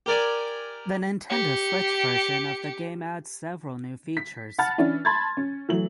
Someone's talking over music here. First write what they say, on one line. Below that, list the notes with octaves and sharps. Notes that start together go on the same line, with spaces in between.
The Nintendo Switch version of the game adds several new features.
G4 A#4 D5 G#5
G4 C#7
B6
F#5 A5 B5 F6 A6
E3 C#4 D4 E4
A5 B5 C6 G#6 A6
C#4
E3 F#3 A3 F#7